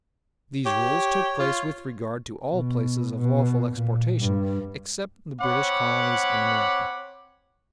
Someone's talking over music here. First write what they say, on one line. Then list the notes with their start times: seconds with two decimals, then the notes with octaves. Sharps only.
These rules took place with regard to all places of lawful exportation, except the British colonies in America.
0.65 G4 C#5
1.40 F4
2.51 B2
3.17 B2
3.73 A#2
4.19 G2
5.41 C4 C#5 F#5 B5 D6